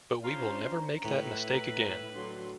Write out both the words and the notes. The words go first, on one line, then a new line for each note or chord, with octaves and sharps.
But we will never make that mistake again.
C#4 D4 F4 C5 A#5
A2 E4 B4
D3 F#3 C6